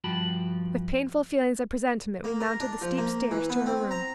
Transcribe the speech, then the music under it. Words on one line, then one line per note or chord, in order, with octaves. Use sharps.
With painful feelings of presentiment we mounted the steep stairs to her room.
G2 F3 F#4 G5 A5 B5
A#3
A#4
D4
F3
A#3
E3
B3
C4
A#5